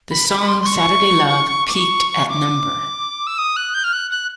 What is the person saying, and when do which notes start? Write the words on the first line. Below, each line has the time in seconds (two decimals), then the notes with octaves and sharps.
The song "Saturday Love" peaked at No.
0.11 B5
0.29 B5
0.40 B5
0.48 C6
0.60 C6
0.66 C#6
1.68 D6
1.74 C#6
2.29 D6
3.27 E6
3.38 D#6
3.56 F#6
3.74 G6
3.84 F6
3.93 F#6
4.10 F#6